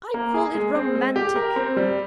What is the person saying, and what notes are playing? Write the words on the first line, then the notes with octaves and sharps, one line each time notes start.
I call it romantic.
A#3
G#4
G#3
C4
G#3
G4
A#4
C4
G3